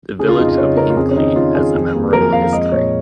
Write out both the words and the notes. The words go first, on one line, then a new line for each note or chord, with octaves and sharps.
The Village of Hinckley has a memorable history.
C#3 G#4
F4
F2 D#4
D#5
C#3 C#5
C#3 A#4
F4
F2 G#4
C#4
D#3 D#4
F2 F4
D#3 G#4
F2
A#3
F3 A#4
F2 F5
G#3 D#5
A#2 C#5